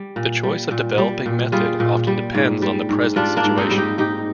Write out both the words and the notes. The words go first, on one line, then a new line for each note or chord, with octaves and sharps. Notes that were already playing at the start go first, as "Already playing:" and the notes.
The choice of developing method often depends on the present situation.
Already playing: G3
A#2
G3
A#2
G3
A#2
G3 F4 G#4
A#2
G3
G#2
G3
G#2
G3 D4 F4
A#3 D4
G#2
C4 D#4
G3
D#4 G4
G#2 D#4 G4